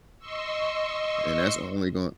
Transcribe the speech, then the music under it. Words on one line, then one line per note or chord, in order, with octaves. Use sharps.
And that's only gonn
D#5 C6 C#6 E6